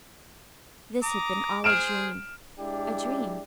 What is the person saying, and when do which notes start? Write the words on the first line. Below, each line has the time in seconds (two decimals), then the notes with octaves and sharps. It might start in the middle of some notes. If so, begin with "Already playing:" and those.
This had been all a dream--a dream.
1.02 A#5 D6 D#6
1.64 G#4 C5 F6 D7 E7
2.59 G#3 D4 E4 G4